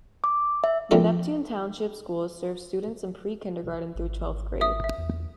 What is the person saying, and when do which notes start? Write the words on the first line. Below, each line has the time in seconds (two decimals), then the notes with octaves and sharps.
The Neptune Township Schools serve students in pre-kindergarten through twelfth grade.
0.24 D6
0.64 E5
0.91 A#2 F3 C4 D4 E4 A4
3.95 G#1
4.61 E5 D#6
4.84 E5
4.98 E2